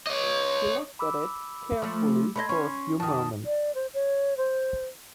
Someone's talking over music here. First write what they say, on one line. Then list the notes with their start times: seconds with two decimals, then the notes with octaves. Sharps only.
He looked at it carefully for a few moments.
0.07 C#5 D#5
0.99 B5 D6 E6
1.82 F3 A3
2.36 A3 C#5 D#5 B5 C6 G#6
2.49 C#4 C6 C#6
3.00 F#2 D#3 A5 D#6
3.46 D5
3.75 C5
3.94 C#5
4.37 C5